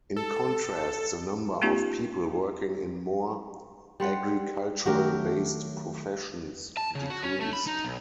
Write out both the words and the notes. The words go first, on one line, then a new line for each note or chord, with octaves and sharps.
In contrast, the number of people working in more agricultural-based professions decreased.
A4
A3 B3 C#4 D#4 F4 G4
G3 C5 F#5
D#3 F#3 A3 F#4 G4 A#4
A5
C#3
F#4
C#4
A3
B5
D#4
B1